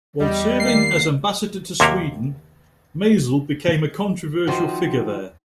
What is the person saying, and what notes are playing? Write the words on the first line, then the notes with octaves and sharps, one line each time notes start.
While serving as ambassador to Sweden, Mazel became a controversial figure there.
E2 G3 D#5
D#3 A#3 C7
D#2 C3 A#3 F#4 G4 F5
D#3 F3 D#4 F#4 C5